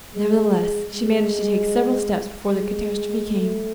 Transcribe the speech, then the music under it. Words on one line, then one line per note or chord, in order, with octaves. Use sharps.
Nevertheless, she managed to take several steps before the catastrophe came.
G#3
G#3
G#3
A3